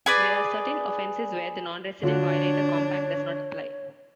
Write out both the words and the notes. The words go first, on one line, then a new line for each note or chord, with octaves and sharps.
There are certain offenses where the Non-Resident Violator Compact does not apply.
G#4 B4 D5
D3 D4 F4 F#4 C#5